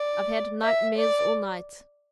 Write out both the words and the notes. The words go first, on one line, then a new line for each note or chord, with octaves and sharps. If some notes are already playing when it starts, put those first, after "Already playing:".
"I've had nightmare all night!"
Already playing: D5
E5
D5